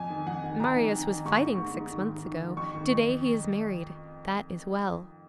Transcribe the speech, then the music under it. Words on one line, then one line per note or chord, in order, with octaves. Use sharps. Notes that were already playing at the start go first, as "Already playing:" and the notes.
Marius was fighting six months ago; to-day he is married. That is well.
Already playing: F2 G#5
D#3
F2 F#5
D#3
F2 A#5
D#3
D#3
D#3
G#2 C#6
D#3
G#2
G#2
D#3
G#2
D#3
D#3
F2 C#6
D#3
F2